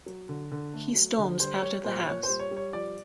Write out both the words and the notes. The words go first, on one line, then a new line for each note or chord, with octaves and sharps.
He storms out of the house.
F#3
D3
D3
A3
F#3
D3
G3 C5
G3 C#5
A#2 C5
A#2 C#5
C5
G3
C#5
G3
C#5
F3 D5